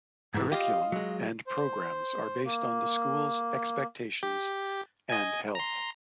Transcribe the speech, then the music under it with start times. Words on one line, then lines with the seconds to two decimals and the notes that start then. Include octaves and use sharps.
Curriculum and programs are based on the school's expectations and health.
0.34 G#2 E3
0.52 F4 G4 D#5 F5
0.92 F#3 G#3
1.47 C5
2.45 A#3
4.23 G4
5.09 D#5 G#5
5.55 A#5 C6